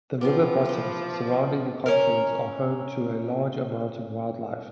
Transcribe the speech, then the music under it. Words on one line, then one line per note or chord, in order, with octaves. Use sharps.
The river bottoms surrounding the confluence are home to a large amount of wildlife.
F3 B3 C4 F4 D6
B4 C5
C#4 A#4